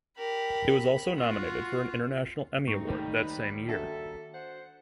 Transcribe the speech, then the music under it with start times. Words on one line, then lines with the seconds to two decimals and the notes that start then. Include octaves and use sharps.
It was also nominated for an International Emmy Award that same year.
0.18 G4 A#4 B5
1.16 F4 F#4
2.67 G#2 C4 D#4 C#6
2.87 D#2 D#3 G3 A3
3.16 B4
3.69 D4 F#4 A4 E5
4.34 C5 F#5